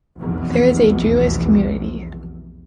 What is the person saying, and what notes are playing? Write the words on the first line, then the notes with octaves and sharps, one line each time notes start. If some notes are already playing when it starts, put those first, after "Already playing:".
There is a Jewish community.
F1 B1 E2